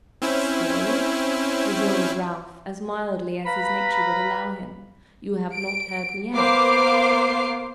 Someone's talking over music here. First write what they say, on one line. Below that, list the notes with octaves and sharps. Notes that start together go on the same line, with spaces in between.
'Still,' rejoined Ralph, as mildly as his nature would allow him, 'you have not heard me out.
C4 C#4 E4
B4 F5 A#5 B5
D7
A#3 B3 C5 F5 D6 C7